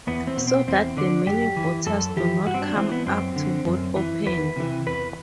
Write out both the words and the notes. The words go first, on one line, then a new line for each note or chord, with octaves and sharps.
So that the many voters do not come up to vote openly.
E2 B3
C4
B2
C4
E2 C4
D3 D4
F#2 G4
E3
F#2 A4
E3 G4
G2 F#4
C4
D4
E3 C4
B3
F#2 C4
D3
F#2
E3
E2 B4
C3 E3
E2 B4